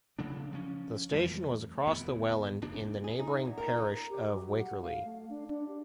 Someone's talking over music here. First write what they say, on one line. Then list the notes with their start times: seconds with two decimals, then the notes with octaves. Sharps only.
The station was across the Welland in the neighbouring parish of Wakerley.
0.19 C#3 F#3 D4
0.53 F3 C#4
1.12 F2 E3 G3 A3
1.87 D1 E2 A#2 B3
2.63 F1 A#3 D4
3.04 G#4
3.19 D#4
3.45 E2
3.58 A#4
3.77 D#4
4.10 G4
4.33 F#3
4.58 F#5
4.81 F5
5.05 A3
5.29 D4
5.48 D4
5.68 G4